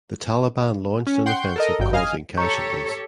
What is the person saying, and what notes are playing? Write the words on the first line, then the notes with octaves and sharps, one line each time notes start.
The Taliban launched an offensive causing casualties.
C#4
F#5 G5 C6 C#6 G6
A4 A#4 D#5
G#1 G2 F#3 G5
D#5 F5 G#5 D#6 F6
G4 A4 C#5 A#5 C#6 G6